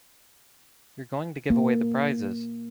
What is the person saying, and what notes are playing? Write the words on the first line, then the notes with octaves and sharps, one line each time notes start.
You're going to give away the prizes.
A#3